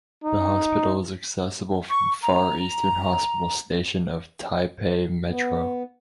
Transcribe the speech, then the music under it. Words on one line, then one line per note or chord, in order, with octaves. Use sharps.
The hospital is accessible from Far Eastern Hospital Station of Taipei Metro.
D#4
C#6
A#5
B3